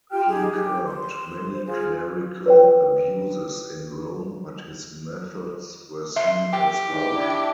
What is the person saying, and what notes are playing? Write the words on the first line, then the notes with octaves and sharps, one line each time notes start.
He curbed many clerical abuses in Rome but his methods were seen as harsh.
F4 G4 G5 F6
D#4 G4 G#4
G4
C6
C5
F4 G#4
B4 C#5 G5
E5 C6
G4 G5
E2 G#2 E3
D4 E4